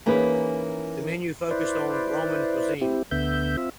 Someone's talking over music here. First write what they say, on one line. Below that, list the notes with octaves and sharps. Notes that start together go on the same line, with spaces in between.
The menu focused on Roman cuisine.
E3 A#3 C#4 D#4 G#4 B4
E4 B4 C5 D5
C4 E4 G4
D2 D3 B3 E5 G6
C4 F4 E5